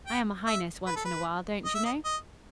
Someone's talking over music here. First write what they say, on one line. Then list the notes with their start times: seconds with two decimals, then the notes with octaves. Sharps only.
"I am a highness once in a while, don't you know?"
0.07 G5
0.47 E5
0.86 B4
0.96 A4
1.05 B4
1.65 D#5
1.75 E5
1.85 D#5
2.04 D#5